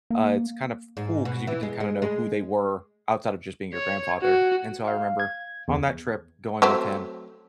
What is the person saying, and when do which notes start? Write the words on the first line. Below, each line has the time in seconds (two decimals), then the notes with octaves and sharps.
uh, it's kind of cool 'cause you get to kinda know who they were outside of just being your grandfather, and so I remember on that trip going with him,
0.10 A#3
0.97 G#2
1.25 B2
1.47 E3
1.63 G#3
1.80 G#3
2.02 G#3
3.73 C#5
4.22 F#4
4.88 F5
5.20 G#6
5.68 E2
6.62 F#3 A3 C4